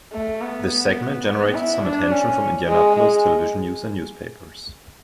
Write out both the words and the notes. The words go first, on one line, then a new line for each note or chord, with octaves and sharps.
This segment generated some attention from Indianapolis television news and newspapers.
A3
B3
B3
E4
D4
C#4
G#3
G#3